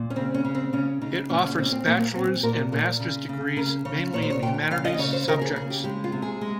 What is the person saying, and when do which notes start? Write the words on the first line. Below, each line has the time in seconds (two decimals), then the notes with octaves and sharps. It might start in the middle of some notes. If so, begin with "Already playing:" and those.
It offers bachelor's and master's degrees, mainly in humanities subjects.
Already playing: A#2
0.10 C#4
0.16 C#3 C4
0.34 C#4
0.45 C#3
0.55 C4
0.73 C#3 C#4
1.01 C#3 D#4
1.29 A#2 C#4
1.44 C#4
1.58 A#2 C4
1.65 C#4
1.72 C4
1.86 A#2 A#3
2.15 A#2 C4
2.43 A#2 A#4
2.72 A#2 A#4
3.00 C#3
3.29 C#3
3.56 C#3 A#4
3.85 C#3 C#5
4.13 A#2 C#5
4.22 C5
4.30 C#5
4.42 A#2 G5
4.70 C#3 F5
4.85 D#5
4.99 C#3 C#5
5.13 C5
5.27 C#3 A#4
5.42 G#4
5.56 C#3 G#4
5.70 G4
5.84 G#3 G4
6.04 F4
6.12 C3
6.22 G#4
6.41 G#3